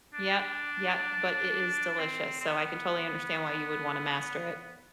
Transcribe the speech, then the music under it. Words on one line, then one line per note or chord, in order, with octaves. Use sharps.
Yep, yep, but it is delicious, so I can totally understand why you would wanna master it.
D4
C4
C4
B3